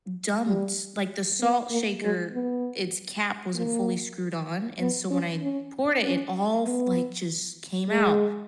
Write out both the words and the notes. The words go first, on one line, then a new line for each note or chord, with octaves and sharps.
dumped like, the salt shaker, its cap wasn't fully screwed on, and so when I poured it all f like, just came out,
G3
B3
A#3
G#3
B3
A#3
B3
C#4
C#4
C#4
B3
G#3